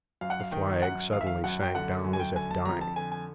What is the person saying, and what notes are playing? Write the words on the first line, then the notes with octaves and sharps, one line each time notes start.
The flag suddenly sank down as if dying.
F#2 F5
F#5
F5
D#3 G5
F#2 F#5
D#3 F5
E5
F5
F#2 F#5
G5
D3 F#5
F#2
G#5
G5
D3 G#5
A5
F2 A#5
A5
D3 G#5
G#5